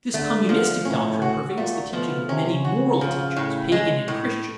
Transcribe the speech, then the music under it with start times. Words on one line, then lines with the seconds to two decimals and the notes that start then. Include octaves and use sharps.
This communistic doctrine pervades the teaching of many moral teachers, pagan and Christian.
0.14 D3 A3
0.49 F3
0.85 A2 C#4
1.22 F#4
1.56 A#2 A3
1.93 B2 F3
2.29 C3 C#4
2.65 C#3 F#4
3.01 F3
3.37 A2
3.72 G#3
4.08 A2